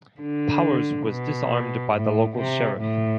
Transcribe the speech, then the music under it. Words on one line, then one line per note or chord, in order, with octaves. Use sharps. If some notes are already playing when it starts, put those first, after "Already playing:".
Powers was disarmed by the local sheriff.
D3
B2
A2
C3
A2